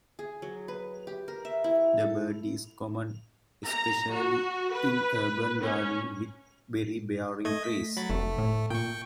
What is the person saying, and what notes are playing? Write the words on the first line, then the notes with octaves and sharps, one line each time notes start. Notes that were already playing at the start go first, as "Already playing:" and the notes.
The bird is common especially in urban gardens with berry bearing trees.
G#4
F#3
B4
G4
A#4
E5
E4
A4
A#5
F#4
B4
C#4
A3 D#5 G#6
B6
F#3 B5 A6
F1 A3
A2
A#2 G5 C#6